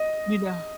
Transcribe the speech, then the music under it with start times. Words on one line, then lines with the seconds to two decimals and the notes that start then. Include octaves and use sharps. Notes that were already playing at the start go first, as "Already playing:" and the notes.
You know
Already playing: D#5